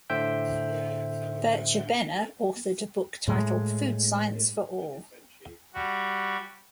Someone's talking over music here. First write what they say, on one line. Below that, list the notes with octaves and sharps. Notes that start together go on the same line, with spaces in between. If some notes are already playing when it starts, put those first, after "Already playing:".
Bircher Benner authored a book titled "Food Science for All".
A2 D3 C5 E5 G5 G6
A2 G#3
G3 F#4